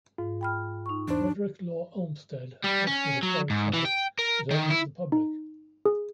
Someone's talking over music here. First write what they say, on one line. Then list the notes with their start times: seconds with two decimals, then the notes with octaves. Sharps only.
Frederick Law Olmsted National Historic Site is open to the public.
0.18 G#2 F4
0.41 G5 B5 F6
0.86 D#4 C#6
1.08 E2 D4 C5
2.64 G3
2.87 C#4
3.23 F#3
3.50 G#2
3.74 E3
3.85 G5
4.19 A#4
4.51 D#3
4.70 E4
5.12 D#4
5.85 G#4